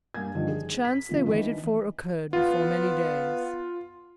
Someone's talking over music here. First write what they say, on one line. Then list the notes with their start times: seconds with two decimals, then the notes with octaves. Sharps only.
The chance they waited for occurred before many days.
0.14 G2 A#3 G#5 G#6
0.35 G2 D3 D#3 F3
0.48 G#4
0.85 B6
1.09 C#3 E3 A#3 F4
1.26 D#3 E3 D4
2.33 B3 F4